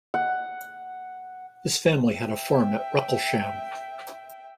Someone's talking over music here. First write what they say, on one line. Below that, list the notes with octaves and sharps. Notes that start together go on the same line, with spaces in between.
His family had a farm at Wrecclesham.
F#5
E5 G5